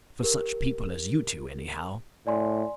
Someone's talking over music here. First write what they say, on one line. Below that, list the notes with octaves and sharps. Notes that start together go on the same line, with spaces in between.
For such people as you two anyhow.
G4 A#4
A2 D5 G#5 C6